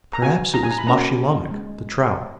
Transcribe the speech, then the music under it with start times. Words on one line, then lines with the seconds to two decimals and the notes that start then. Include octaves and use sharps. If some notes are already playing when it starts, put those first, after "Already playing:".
"Perhaps it was Maschilamek, the trout."
0.13 A#5
0.22 B3 F#4 G#5
0.54 A#5
0.63 G#5
0.71 A#5
0.78 B5
0.87 A#3 C#4 F#4 A#5
1.51 G#3